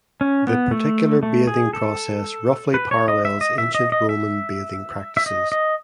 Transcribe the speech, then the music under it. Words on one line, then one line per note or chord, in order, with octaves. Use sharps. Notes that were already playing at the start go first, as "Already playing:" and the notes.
The particular bathing process roughly parallels ancient Roman bathing practices.
C#4
B3
A3
A3
G#4
A4
B4
C#5
D#5
E5
D#5
E5
D#5
D#5
E5
E5
D#5
D#5